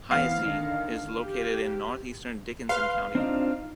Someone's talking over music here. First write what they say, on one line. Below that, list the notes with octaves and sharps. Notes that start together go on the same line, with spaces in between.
Haysi is located in northeastern Dickenson County.
E3 B3 C4 F5
D3 D#3
G4
B4 F5 C6
C4 D4 D#4 F4